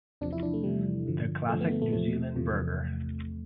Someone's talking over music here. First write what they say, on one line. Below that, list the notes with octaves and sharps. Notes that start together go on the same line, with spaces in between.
The classic New Zealand burger.
E2 C3 F3 D4
E4
D4
A3
E2 C3 F3 G3
G2 D3 F3
G2 D3 F3 A3
B3
A3
A3
E2 C3 F3 A3
E2 C3 F3